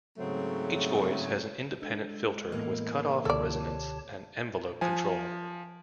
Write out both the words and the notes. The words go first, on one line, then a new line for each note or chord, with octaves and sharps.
Each voice has an independent filter with cutoff, resonance, and envelope control.
G#2 C#3 F#3 A3 C4
G#3 D4 A4
A2 E3 A#3 B3 D#5
C#2 B2 D3 G4 A4 C#5 D5 A5
F3 G#5